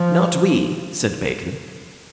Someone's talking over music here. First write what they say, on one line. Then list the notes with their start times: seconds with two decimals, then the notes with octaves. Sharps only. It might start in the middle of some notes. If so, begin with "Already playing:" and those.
"Not we," said Bacon.
Already playing: F3